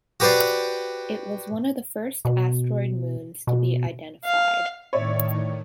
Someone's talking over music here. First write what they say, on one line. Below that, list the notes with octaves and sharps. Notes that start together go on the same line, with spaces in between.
It was one of the first asteroid moons to be identified.
F#4 G4 B4 C5 D5
B2
B2
F5
A2 D#3 C#5 D5 E5